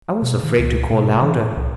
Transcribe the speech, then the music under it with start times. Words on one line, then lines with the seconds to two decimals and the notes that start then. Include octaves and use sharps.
I was afraid to call louder.
0.22 B2
0.43 D#3
0.59 C#2
0.91 B2
1.22 E3
1.43 A2
1.57 C2